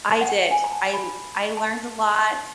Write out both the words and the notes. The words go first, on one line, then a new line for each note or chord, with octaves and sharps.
I did, I l I learned a lot,
F#5
G5
G#5
A#5
A5
B5
A5